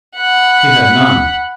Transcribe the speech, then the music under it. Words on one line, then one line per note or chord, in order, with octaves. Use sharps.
He had none.
F#5 B5